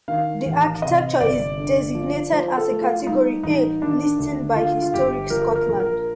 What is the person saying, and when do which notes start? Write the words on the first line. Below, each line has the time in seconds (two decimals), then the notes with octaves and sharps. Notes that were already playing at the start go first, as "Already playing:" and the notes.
The architecture is designated as a Category 'A' listing by Historic Scotland.
0.08 D#3 F5
0.45 A1
0.82 C3 D#5
1.20 G1 D5
1.57 D3
1.95 F3
2.32 F3 C5
2.57 A4
2.70 A3
2.81 F4
3.00 F4
3.07 G3 D#4
3.43 A1 D#4
3.81 D#3 D4
4.19 D2
4.55 D3 F4
4.82 F4
4.94 G1 G4
5.30 F3 A#4
5.56 A#4
5.69 A#1
5.80 A#4